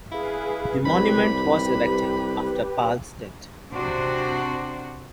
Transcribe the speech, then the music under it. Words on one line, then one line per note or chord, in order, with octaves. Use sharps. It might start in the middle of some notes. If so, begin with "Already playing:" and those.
The monument was erected after Pal's death.
E4 G#4 B4 F5
C2 G4 B4 B5
C3 D4 F#4 C5